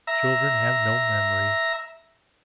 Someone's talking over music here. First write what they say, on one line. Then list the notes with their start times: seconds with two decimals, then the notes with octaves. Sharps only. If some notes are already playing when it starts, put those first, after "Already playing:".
Children have no memories.
0.07 E5 A#5